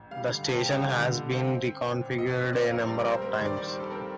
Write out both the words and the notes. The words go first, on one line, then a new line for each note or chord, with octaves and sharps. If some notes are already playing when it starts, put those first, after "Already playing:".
The station has been reconfigured a number of times.
Already playing: A1
G3 F5
D3
C4 A5
G5
G3
D#5
G5
D3 F5
D3
D3
C4
C4
C4
C4
A#2
A#1 D#5
D#5
C4
C5
C4 D5
F5
A#1 A#4
C5
G3 D5
A#4
C4
C5
G3 A#4
C5
D#2
D5
D#3 D5
C5
G3
A4
C4 A#4